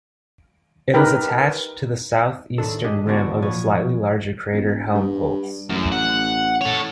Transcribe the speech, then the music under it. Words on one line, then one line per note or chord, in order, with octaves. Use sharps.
It is attached to the southeastern rim of the slightly larger crater Helmholtz.
D#4 G4 A#4 B4 G5
A2 D#3 D4 A4
D4 G4 G#4 D#5
D3 E3 B3 D4 F4 F#4
B1 A#2 F3 B4 C#5 F5
E1
G2
A1 F#2
F#5
A4 C#5